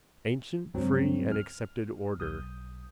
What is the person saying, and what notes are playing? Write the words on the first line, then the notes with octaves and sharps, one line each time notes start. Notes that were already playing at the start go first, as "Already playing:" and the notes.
Ancient free and accepted order.
C#2 G2 F#3 C4
F6
B1 D#6 G6